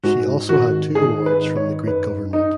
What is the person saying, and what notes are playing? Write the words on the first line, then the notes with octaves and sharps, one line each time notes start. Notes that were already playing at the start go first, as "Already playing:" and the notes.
She also had two awards from the Greek government.
G#2 F#4
D#3 F#4
D#4 G#4
B4
D#4
C#5
F#2 B4
D#4